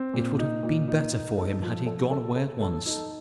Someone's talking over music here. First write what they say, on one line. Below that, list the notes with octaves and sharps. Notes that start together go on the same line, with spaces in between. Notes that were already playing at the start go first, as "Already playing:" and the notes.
It would have been better for him had he gone away at once.
Already playing: C4
A#2
D#4
A#2
D#4
D#4
A4
F3
A4
A4
A4
A4
D#4